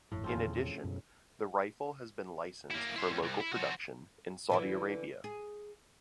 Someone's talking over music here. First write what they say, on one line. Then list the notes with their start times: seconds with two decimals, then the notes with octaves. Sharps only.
In addition, the rifle has been licensed for local production in Saudi Arabia.
0.12 G1 F2 A2
0.24 G#1 C#3 F3 C4
0.37 E2 A#2 D#3
0.84 F#2 B2
2.71 A#3 E4
2.96 E4 C5
3.11 C#2
3.22 C2
3.40 E4
3.53 F3 F#4
4.50 D3 E3 E4
5.24 G#4